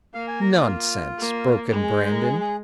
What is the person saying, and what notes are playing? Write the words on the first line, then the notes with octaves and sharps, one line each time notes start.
"Nonsense!" broke in Brandon.
A#3 F5
G#5
A#4
F4
A#3
G#3
G#4
C5
A#4
G#4
G#4